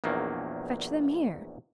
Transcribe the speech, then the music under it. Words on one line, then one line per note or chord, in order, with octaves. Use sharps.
"Fetch them here."
A#1 E2 D#3 F#3 A#3